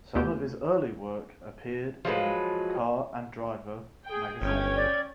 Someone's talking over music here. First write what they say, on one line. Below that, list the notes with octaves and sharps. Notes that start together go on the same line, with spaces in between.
Some of his early work appeared in "Car and Driver" magazine.
D#2 A3 B3 F4 G4 G6
F3 F#3 G#3 B4
G#4 G5
G1 C#4 G5 G#6
D5